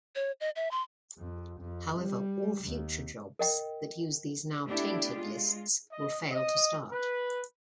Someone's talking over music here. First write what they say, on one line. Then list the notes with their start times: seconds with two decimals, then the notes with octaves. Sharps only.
However, all future jobs that use these now tainted lists will fail to start.
0.15 C#5
0.41 D#5
0.56 E5
0.71 C6
1.19 F2
1.60 F2
1.98 G3
2.65 D#2
3.39 A#4 D#5 G5
4.67 A3 B3 D4 E4 G4
5.12 G#3 F4
5.92 D#5
6.31 D#5
6.92 B4